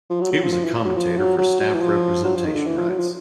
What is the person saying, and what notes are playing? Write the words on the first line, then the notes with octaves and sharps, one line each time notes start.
He was a commentator for staff representation rights.
F3
F#3
F#3
F3
F3
E3
F#3
F3
F#3
F#3
F#3
E3
F3
F#3
F3
D#3
D3
E3
F3
F#3
F3